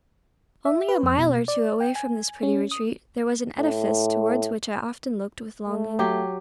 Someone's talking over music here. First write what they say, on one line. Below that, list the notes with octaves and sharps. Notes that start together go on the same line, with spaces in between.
Only a mile or two away from this pretty retreat there was an edifice towards which I often looked with longing.
E5
B4
F2
B2
D5
G5
G#5
C#4
D#6
A2
A3
F#3 G4